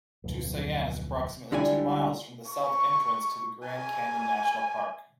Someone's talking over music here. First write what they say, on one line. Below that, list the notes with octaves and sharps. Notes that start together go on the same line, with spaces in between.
Tusayan is approximately two miles from the south entrance to Grand Canyon National Park.
D1 B1 F2 B2
C#2 D3 G3 E4 D5 G#5
C#6
G#5